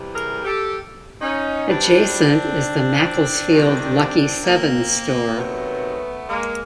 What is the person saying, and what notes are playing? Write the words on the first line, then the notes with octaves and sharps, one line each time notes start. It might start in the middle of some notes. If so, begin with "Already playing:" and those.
Adjacent is the "Macclesfield Lucky Seven" store.
Already playing: C3 E3 G3
G#4 A#4
G4 A4
C#4 D#4
G2 E3 G3 C4 D4
C3 D#3 G3
A#3 C4
C3 D#3 F#3 A3 B3
G#3 A#3